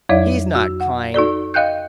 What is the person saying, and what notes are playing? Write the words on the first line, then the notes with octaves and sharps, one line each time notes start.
He's not kind.
F2 F#3 E4 C#5 D5 E5
F#4
F#5
D#4 F#4 A4 D5
D#5 F5 G5 F#6 G6